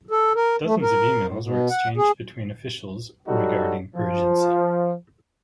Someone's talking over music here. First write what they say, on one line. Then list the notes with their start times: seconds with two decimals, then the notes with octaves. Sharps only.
Dozens of emails were exchanged between officials "regarding urgency".
0.11 A4
0.35 A#4
0.64 A3
0.82 A#4
1.27 A2
1.42 B2
1.70 F#5
1.97 G#4
3.27 F#3 G3 D#4 F#4 A4
3.95 F3